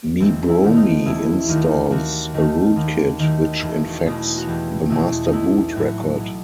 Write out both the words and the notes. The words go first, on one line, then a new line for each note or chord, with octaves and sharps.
Mebromi installs a rootkit which infects the master boot record.
E1 C4
E4
D#2 D#3 A3
D#4
E1 E4
D#2 D#3 A3
D#2 F#4
D#3 A3
D#2
D#3 A3
E1
E2 B2 A3
F#4
E1 G4
E2 B2 A3 E4
D#4
B1 E4
A2 F#3 A3 F#4
B1